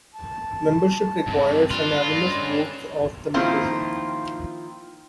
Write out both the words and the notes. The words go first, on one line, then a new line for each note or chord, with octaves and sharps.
Membership requires unanimous votes of the membership.
A5
G2 C3
D4 F4 B4
D3 G#3 C#4
D#3 F3 A#3 C4 E4 F4